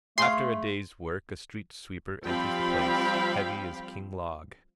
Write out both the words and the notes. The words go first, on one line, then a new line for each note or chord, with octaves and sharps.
After a day's work a street-sweeper enters the place, heavy as King Log.
A3 G#4 F5 C6
F3 G3 C4 F5 G5 B5